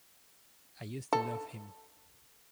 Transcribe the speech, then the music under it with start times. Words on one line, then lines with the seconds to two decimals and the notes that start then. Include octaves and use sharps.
I used to love him.
1.13 A4